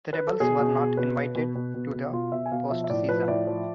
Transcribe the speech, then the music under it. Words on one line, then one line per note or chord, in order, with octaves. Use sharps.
The Rebels were not invited to the postseason.
B4
A4
B2 G#4
B2
B2
B2 B4
B2
B2
B2
B2
B2
B2 F4
B2 E5
G#5
B2 F5
F3 E5
E5
A2 D5
F3 B4
A2 D5
F3